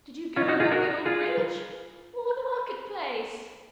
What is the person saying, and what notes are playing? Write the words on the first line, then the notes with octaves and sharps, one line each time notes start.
Did you go by the old bridge, or the market-place?
C#4 F4
D#4 F#4
F4 G#4
F#4 A#4
F4 G#4